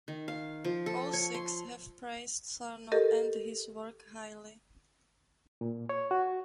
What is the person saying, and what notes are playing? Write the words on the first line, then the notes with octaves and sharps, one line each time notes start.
All six have praised Sarno and his work highly.
D#3
F5
F3
A4
C#5
C6
G4 A4 A#4 D#5
A#2
C#5
F#4